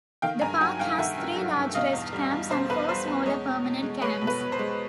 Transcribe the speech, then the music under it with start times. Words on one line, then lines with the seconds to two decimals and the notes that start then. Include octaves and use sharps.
The park has three large rest camps and four smaller permanent camps.
0.22 D#3 F5 G5
0.41 G2 G#5 A#5
0.61 F#3 F#5 G#5
0.79 G2 F5 G5
0.98 D#3 E5 F#5
1.18 G2
1.36 F#3
1.56 G2
1.74 B2 D#5 F5
1.93 E2
2.12 G3
2.31 E2
2.50 B2 C5
2.70 E2 B4
2.89 G3 C5
3.08 E2
3.26 G#3 C#5 D#5
3.45 B2
3.64 B2
3.82 G#3
4.02 G#3 B4 C#5
4.22 B2
4.27 B4
4.40 B2
4.52 C5
4.59 G#3